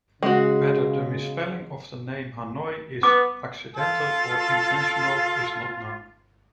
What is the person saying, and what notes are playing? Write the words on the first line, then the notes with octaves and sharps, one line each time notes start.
Whether the misspelling of the name Hanoi is accidental or intentional is not known.
C#3 G#3 F#4
B3 D6
F4 A4